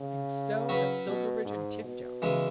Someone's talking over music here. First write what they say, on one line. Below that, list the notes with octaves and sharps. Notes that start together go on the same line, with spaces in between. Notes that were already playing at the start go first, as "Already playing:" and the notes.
And so have Silverbridge and Tifto.
Already playing: C#3
F#3 C#4 F#4 B4
B2
G#2
B2
C#3 E3 G#3